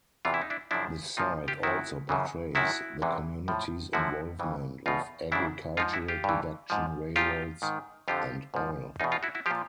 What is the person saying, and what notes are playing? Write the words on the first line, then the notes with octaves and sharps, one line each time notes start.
The site also portrays the community's involvement with agricultural production, railroads, and oil.
E2 C3 E3 F4
E4
D#4
D4 E4
F#2 C#3 F3 D4 E4
A#2 F3 D#4 F4
F4 G4
F#2 D#3 E4 F#4
F#2 C#3 E3
F#2 D#3 E4 F#4
E2 C3 E3
A2 F3
F#2 D3 F3 E4 F#4
F2 C#3 E3
E2 B2 D#4 F4
F#2 C#3 E3 D4 E4
G#2 F3 D#4 F4
E4 F#4
F4 G4
G2 E3
G#2 F3
A#2 F3 F4 G4
G#2 D#3
F2 D3 F3 F4 G4
G#2 F3
E2 B2 D#4 F4
D#4 F4
E4 F#4
E4 F#4
A#2 F3 F4 G4